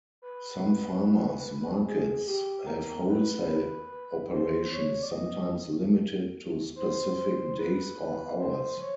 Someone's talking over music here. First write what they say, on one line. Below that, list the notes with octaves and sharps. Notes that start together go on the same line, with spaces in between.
Some farmers' markets have wholesale operations, sometimes limited to specific days or hours.
B4
G#4
G4
A#4
B4
C5
C#5
D5
D#5
C5
C5
B4
C5
C#5